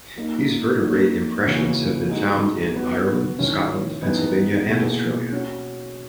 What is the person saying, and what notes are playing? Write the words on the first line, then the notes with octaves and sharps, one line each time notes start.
These vertebrate impressions have been found in Ireland, Scotland, Pennsylvania, and Australia.
F#3 A#3 D#4
F#3 A#3 D#4 F#4
C#3 E3 A#3 C#4 F#4
G#3 D#4 F#4
F#3 B3 F#4
D#3 F#3 C#4 E4
E3 B3 D#4
B2 A#3 E4 G#4
F#3 C#4 F#4